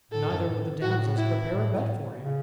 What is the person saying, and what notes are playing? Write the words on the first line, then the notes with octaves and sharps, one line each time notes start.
Neither would the damsels prepare a bed for him.
A2 A4
F#2
A2
A2 F#4
E4
A2
A2
C#3